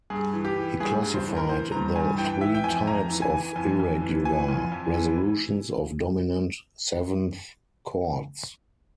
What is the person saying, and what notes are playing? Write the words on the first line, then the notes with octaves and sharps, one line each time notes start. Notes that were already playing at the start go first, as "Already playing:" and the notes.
He classified the three types of irregular resolutions of dominant seventh chords.
G2 G#4
E3
G4
E3
G2 G#4
G2
C5
E3
A#4
E3 C5
G2 A#5
G2 G#5
E3 G5
E3 E5
G5
F2 G#5
F2 A#5
E3
G#5
E3
F2
F2
E3
E3 G#5
F2
F2
E3